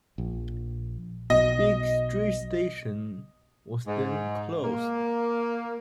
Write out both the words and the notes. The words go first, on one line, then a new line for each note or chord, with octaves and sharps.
Bridge Street station was then closed.
A#1
B1 B2 D#5
G#2
A#3